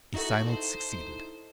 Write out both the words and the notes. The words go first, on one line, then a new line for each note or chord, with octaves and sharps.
A silence succeeded.
D#4 E4 F#4 A4
C5